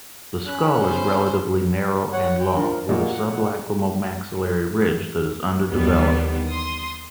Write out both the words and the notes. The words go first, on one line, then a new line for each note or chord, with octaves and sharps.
The skull is relatively narrow and long, with a sublacrimal-maxillary ridge that is underdeveloped.
C#4 B5 F#6
B3 C5
C#5 F#5
G5
F3 D4 A#4
A#2 G#3 A#3 F#4
F#5
D#2 D3 E3 G3 B3
C6 D#6